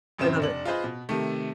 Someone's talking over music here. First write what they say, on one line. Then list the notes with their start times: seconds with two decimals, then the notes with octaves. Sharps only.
I love it.
0.18 A1 F#2 C#3 C4 E7
0.40 F1 D4 F#7
0.65 F4 G#4 B4 C5 D#5
0.84 B2
1.09 C3 D#3 A3